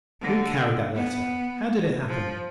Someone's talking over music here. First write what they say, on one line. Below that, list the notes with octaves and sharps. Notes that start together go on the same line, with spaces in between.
"Who carried that letter? How did it happen?"
D3
B3
F3